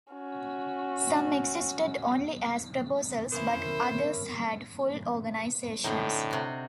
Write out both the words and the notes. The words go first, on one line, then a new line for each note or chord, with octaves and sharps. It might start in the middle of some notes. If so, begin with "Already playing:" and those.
Some existed only as proposals, but others had full organizations.
C#4 F#4
B3 C#4 E4 A#4 C5
A2 D3 C4 D#4
C3 F#4